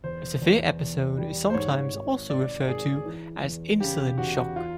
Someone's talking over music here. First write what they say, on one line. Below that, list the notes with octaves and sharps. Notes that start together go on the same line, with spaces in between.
A severe episode is sometimes also referred to as "insulin shock".
E2 C5
E2
E2
G3
C5
G#2 C#5
G#1
G#1 D5
G#1 G#4
E3
E2
C#3 G4
E2 F#4
F4